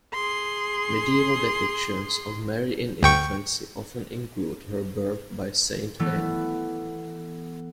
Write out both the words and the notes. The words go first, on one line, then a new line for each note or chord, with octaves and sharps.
Medieval depictions of Mary in infancy often include her birth by Saint Anne.
G#4 C6
D2 G5 C#6
E3 A3 B3